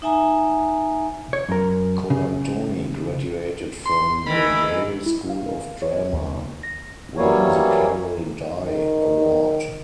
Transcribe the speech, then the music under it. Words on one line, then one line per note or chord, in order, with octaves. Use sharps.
Colantoni graduated from the Yale School of Drama, winning the Carol Dye Award.
D#4 E5 G#5 A#5
C#5
F#2 A#4
C#3
C6
D#3 E3 B5
E4
F5
C#5
D#2
A#6
E3 F#3 G3 A#3 C#5
D#3